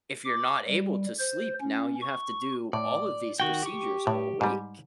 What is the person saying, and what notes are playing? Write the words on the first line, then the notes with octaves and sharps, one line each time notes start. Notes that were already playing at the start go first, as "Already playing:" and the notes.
if you're not able to sleep, now you have to do all of these procedures awake.
D6
G3
C5
C#4
C#6
A2 D5
D#3 F#4 G5
G4 C#6
A2
G#2 G3